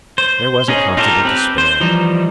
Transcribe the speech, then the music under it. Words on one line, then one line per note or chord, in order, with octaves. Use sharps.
There was a constable to spare.
C5
C#4 D#4 G#4
D#4 F4 G4 A4 A#4
C4 G4 B4
C5
E3 F3 G3 D#4